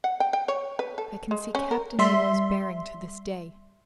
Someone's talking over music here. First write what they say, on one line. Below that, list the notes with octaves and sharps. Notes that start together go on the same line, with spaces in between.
I can see Captain Nemo's bearing to this day.
F#5
G5
G5
C#5
B4
A4
G#3
C#4
A#4
G3 E5 C6